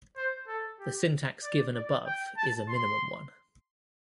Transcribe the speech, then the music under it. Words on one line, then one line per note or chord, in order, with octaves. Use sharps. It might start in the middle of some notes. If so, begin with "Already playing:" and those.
The syntax given above is a minimal one.
C5
A4
G4
D5
D5
G5
A5
C6